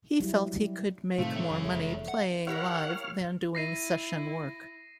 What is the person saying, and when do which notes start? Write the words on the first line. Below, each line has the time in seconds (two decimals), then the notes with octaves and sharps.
He felt he could make more money playing live than doing session work.
0.20 F#3 G3 E4
1.18 A2 C3 D#3 A3 F4
1.35 G#3 A3 C#5
1.51 F#2 C#3
1.65 F1 E2 A3
2.08 F#5
2.47 E4 G4 A#4 C#5 F5 F#5 F6
3.55 E4 A#6 C7 D#7